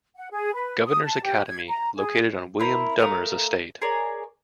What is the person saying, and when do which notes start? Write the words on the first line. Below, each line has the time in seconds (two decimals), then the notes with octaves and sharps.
Governor's Academy located on William Dummer's estate.
0.16 F#5
0.31 G#4
0.54 B4
0.85 D#6
1.04 A5
1.23 G4
1.47 G#6
1.68 A#5
1.96 G#4
2.60 C4 E4 A#4
3.00 A3 A#4 F5 D#6
3.82 G#4 A#4 C#5 D5